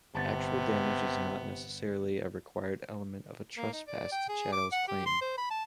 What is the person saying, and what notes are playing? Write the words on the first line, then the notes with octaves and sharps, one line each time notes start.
Actual damage is not necessarily a required element of a trespass to chattels claim.
G1 C3 B3 A5
A#3
D#4
D5
G5
G#4
D6
F#5
G4
C6
C5
B5
A5